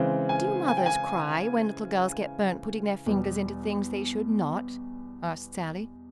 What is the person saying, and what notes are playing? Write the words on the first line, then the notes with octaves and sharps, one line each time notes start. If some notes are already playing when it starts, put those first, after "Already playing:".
"Do mothers cry when little girls get burnt putting their fingers into things they should not?" asked Sallie.
Already playing: C#3 E3 G#3 C4
G#5
G#5
G5
G#5
E2 B2 G3